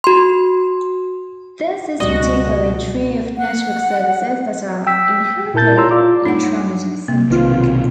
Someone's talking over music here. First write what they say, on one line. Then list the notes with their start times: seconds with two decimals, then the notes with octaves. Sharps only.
This is particularly true of network services that are inherently intranet-centric.
0.04 F#4 C6
2.00 C#2 B2 G3 A3 F#4 D5 D#5
3.38 F#5
4.87 G5 E6 B6
5.54 A#2 E4 A#4 A5 G6 A6
5.76 F4 C#5 A#5 C6 E6
5.91 F4 D5 D6
6.26 G2 D4 D#4 C#5 F#5
7.08 C3 A#3
7.30 B1 B2 D#3 C4 F4